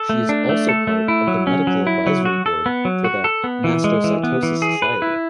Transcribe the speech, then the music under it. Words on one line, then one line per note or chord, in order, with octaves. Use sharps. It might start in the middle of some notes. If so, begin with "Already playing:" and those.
She is also part of the medical advisory board for The Mastocytosis Society.
Already playing: A4
A3
D4
A3
A4
A3
E4
F#3
C#4
F#3
E4
F#3
F#4
A4
B3
F#3
F#4
A4
B3
E3
G#3
E3
B3
E3
G#4
B4
E4